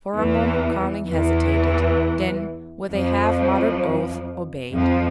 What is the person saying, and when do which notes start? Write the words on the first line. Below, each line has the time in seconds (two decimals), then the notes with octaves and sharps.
For a moment Carling hesitated; then, with a half-muttered oath, obeyed.
0.16 E2 E3
1.07 E2 E3
2.91 F2 F3
4.74 F2 F3